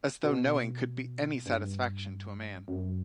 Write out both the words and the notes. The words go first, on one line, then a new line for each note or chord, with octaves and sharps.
As though knowing could be any satisfaction to a man!
B2
G2
F#2